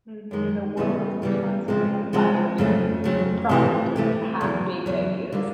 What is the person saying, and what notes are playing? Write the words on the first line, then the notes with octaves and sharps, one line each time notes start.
Mhm. The world is constantly on fire because it's a product of half-baked ideas.
F#2 D#3 G#3
C#3 E3 G3 B3
C#3 E3 G3 B3
C#3 F3 G#3 C4
C#3 F3 G#3 C4
F2 C#3 F#3 A3
F2 C#3 F#3 A3
C3 E3 A3
C3 E3 A3
E2 C#3 F#3
E2 C#3 F#3
D3 G3 A#3